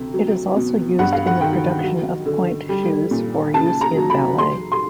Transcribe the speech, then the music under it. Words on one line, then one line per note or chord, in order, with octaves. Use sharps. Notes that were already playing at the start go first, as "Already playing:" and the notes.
It is also used in the production of pointe shoes for use in ballet.
Already playing: D2 C3
F#3
B2
G2 F#5
F5
F#5
D#3 G5
F#3
D3
G3
A#2
C#3 A5
A#5
F#3
B5
F#3 C6
C6